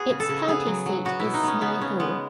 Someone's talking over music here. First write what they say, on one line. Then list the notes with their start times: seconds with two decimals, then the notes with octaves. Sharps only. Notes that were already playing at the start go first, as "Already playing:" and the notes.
Its county seat is Snow Hill.
Already playing: B3 F#4 G#4
0.10 C#3
0.20 A4
0.29 C#3
0.48 B3 G#4
0.66 F#3
0.86 F#3
1.05 B3 F#4
1.20 B2 E4
1.34 D#4
1.43 B3 C#4
1.61 C#3 B3
1.81 C#3 C#4
2.00 G#3 B3